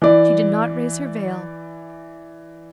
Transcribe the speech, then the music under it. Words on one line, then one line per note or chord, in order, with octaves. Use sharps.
She did not raise her veil.
E3 D5